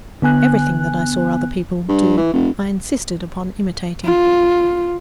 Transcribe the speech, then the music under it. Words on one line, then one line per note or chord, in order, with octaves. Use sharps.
Everything that I saw other people do I insisted upon imitating.
D3 B3 G#5 F#6
G2
E3
F1
F4